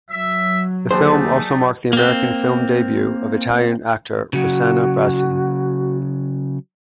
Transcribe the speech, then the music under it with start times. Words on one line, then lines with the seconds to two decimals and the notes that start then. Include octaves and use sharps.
The film also marked the American film debut of Italian actor Rossano Brazzi.
0.10 F#3 E5
0.91 D#2 A3 D4 D#4 G#4 A4 C5
1.93 A#3 C4
4.33 C#3 F#3 F#4